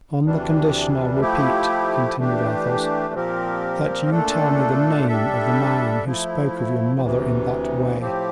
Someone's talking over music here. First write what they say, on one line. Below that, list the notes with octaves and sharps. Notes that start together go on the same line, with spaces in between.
"On the condition, I repeat," continued Athos; "that you tell me the name of the man who spoke of your mother in that way."
D2 C3 E3 G3 D4
F3 A3 E4 G4
E3 A3 D4 G4
A#2 F3 C4 G4 A#4
A#2 A3 D4 A4
G3 D4 A4 E5
F3 A3 E4
D2 C3 E3
A2 F3 C4 G4